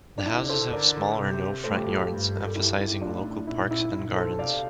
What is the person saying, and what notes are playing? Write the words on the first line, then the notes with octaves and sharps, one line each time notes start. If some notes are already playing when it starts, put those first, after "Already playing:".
The houses have small or no front yards, emphasizing local parks and gardens.
D4
D3 E4
A4 C5
D3 A#4 D5
C3
A2 A4 C5
G4
F4 A4
G2
A#4
A4
G2 E4 G4
E4 G4
A2 D4 F4
E4
A#2 E4
E4
A#2 E4
A4 C5
C3 D5 F5